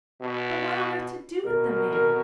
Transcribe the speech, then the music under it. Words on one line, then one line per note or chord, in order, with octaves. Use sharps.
But what on earth to do with the man?
B2
B2 A#4
A#4
A#4